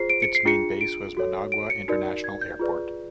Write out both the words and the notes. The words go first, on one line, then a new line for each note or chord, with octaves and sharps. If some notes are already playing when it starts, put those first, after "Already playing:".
Its main base was Managua International Airport.
Already playing: F4 G#4 C5 C7
D7
C#7
C7
D4 F4 G#4 C#7
D7
F#4 A4 C#5
D7
C#7
D#4 F#4 A#4 D5
G#6
G6
F4 G#4 B4 D5